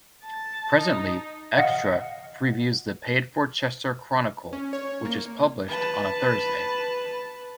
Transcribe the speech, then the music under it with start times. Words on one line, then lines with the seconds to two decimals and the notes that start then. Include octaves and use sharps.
Presently "Xtra" previews the paid-for "Chester Chronicle" which is published on a Thursday.
0.24 A5
0.77 D#4
1.58 D#5 F5 F#5
4.53 C#4
4.73 C#5
5.05 A#3
5.68 B4 A5